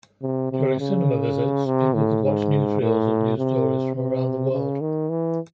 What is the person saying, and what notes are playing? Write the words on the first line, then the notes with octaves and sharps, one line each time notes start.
During cinema visits, people could watch newsreels of news stories from around the world.
C3
C3
C#3
C3
A2
G#2
A2
C3
C3
C#3
D#3
E3